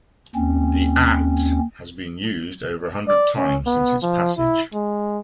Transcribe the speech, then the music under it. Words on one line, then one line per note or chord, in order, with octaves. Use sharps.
The Act has been used over a hundred times since its passage.
D#2 C4 C#4
D5
C#4
B3
F3
E4
G#3